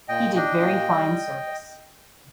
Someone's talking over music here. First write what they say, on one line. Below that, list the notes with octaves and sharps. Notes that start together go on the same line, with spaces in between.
He did very fine service.
A#2 D#5 G5
D4 D#5 G5
A#2
G3